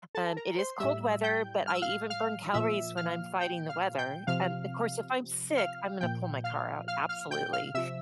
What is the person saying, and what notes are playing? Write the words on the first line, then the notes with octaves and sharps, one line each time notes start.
um, it is cold weather, but I even burn calories when I'm fighting the weather. Um, of course, if I'm sick, I'm gonna pull my car out, absolutely.
A4 A5
A#4 A#5
C5 C6
A2 G3 E5 E6
G5 G6
F6
E6
F5 F6
F5 F6
A#2 F3 E5 E6
F5 F6
G5 G6
F5 F6
G5 G6
C3 F3 F5 F6
F5 F6
A#2 F3 G5 G6
F5 F6
F5 F6
F5 F6
G5 G6
F5 F6
C3 F3 E5 E6